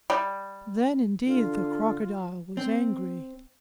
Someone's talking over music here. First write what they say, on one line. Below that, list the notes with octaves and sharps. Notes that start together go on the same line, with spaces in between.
Then indeed the Crocodile was angry.
G3
D3 F4
C4